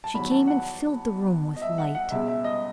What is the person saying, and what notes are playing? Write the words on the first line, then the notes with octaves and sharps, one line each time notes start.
She came, and filled the room with light.
A5
E2 D#3 F#3 B5
A5
F#5
D#5
E5
F#5
F#5
C#2 B2 G#3 E5
E5
D#5